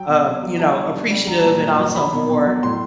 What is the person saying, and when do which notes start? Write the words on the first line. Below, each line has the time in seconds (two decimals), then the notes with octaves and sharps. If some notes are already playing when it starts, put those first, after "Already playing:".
um, you know, appreciative and also more,
Already playing: F#3 G5
0.08 B2
0.25 B2
0.42 F#3
0.59 G3 A5
0.76 D3
0.94 D3
1.10 G3
1.27 F#3 A#5
1.39 A5
1.45 A#2
1.50 A#5
1.61 A#2
1.78 F#3
1.95 F#3 B5
2.12 B2
2.29 B2
2.46 F#3
2.63 A2 C6